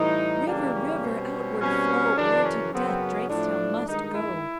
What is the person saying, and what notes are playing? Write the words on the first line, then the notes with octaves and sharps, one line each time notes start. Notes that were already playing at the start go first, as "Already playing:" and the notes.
'River, River, outward flow, Or to death Drakestail must go.'
Already playing: A2 E3 G3 D#4
F#2 C#3 E3 G3 A#3 D4
C#4
B2 G3 C4
B2 G3 C4 C#4
F#2 C#3 E3 D4
C#4
F#2 C#3 F#3 B3 C4
C#4
A2 F3 A3 D4
G2 D#3 G#3 D#4
E4